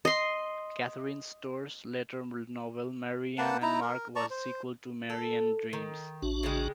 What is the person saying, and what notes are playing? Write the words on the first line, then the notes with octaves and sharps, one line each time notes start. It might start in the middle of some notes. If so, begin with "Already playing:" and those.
Catherine Storr's later novel "Marianne and Mark" was a sequel to "Marianne Dreams".
D#5 C6
A#3 B4 F#5 A5
D#4 E4 A#5
A#4
D5 A5 A#5 C#6
C5
A4
D#3
A1 D4 F#4
C#3 G3 G#3